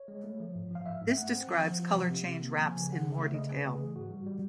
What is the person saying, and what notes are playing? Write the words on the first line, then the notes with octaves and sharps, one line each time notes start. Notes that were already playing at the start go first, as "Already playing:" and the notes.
This describes Color Change Wraps in more detail.
Already playing: C#5
G#3
A3
F3
G#2
F3 F5
G#2 E5
G#2
A3 F#5
C4
F3
F3
F3
C3
C3
C3
A#3
F3
C#3 G#5
C#3 F#5
C#3
E5
A3
C#3 D#5
C#3 B4
A3
G#4
E3
G#2 F#4
G3
G3